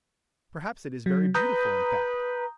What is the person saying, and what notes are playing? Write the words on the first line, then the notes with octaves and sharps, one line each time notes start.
Perhaps it is very beautiful, in fact.
F#3
B4 A#5 D#6 G6